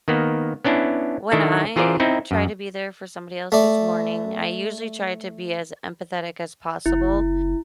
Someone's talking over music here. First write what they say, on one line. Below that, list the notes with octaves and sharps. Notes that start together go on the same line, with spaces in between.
When I try to be there for somebody else who's mourning, I usually try to be as empathetic as possible,
D#3 A#3 B3
B3 C#4 D4 E4
D#3 D4 E4 A4
E3 F4 G#4 A#4 C5 D5
C4 D#4 E4
F#2
A3 D5
F#1 E4